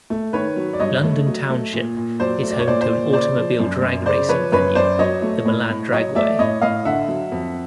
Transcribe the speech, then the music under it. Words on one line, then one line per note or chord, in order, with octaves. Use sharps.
London Township is home to an automobile drag racing venue, the Milan Dragway.
A3
D#3 B4 C#5
F#3
D5
G2 C#5 D#5
A3
F#3
A3
A#2
A#2
F#3 C5 D5
A3
D5
C#5
A#2 C5 D5
C5 D5
A#2
C#3 C5 D5
F3
F#2
F#2
C#3 C5 D5
F3 B4 C#5
F#2 B4 C#5
F#2 C5 D5
F#3 C#5 D#5
A3
A2
A2
F#3 C#5 D#5
A3 D5 E5
A2 C#5 D#5
A2 D#5 F5
D3 E5 F#5
F#3
F2